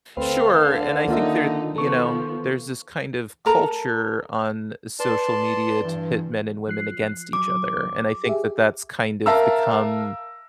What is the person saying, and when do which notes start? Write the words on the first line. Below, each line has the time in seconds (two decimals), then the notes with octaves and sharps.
Sure, and I think there you know, there's this kind of culture on social media to pit men and women against each other. And I think that that's kind of become,
0.17 D2 C4 A4 B4 C5 F5
0.64 D3
1.08 D#3 A#3 D#4 F4 E5
1.76 F3 B3 A4 C#6
3.46 A4 A#4 A#5
5.00 B4 D5 A5 C6
5.83 G2 E3
6.68 F3 F#6 C7
7.33 F#3 D6
8.25 G4 G#4 E5
9.26 A#4 E5 F5 A5 A#5 E6